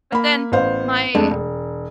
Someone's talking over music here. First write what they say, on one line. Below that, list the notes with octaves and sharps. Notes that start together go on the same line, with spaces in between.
but then my
A#3 B5
A1 B3 C5 F5
F2 G#3 A3 D4
E1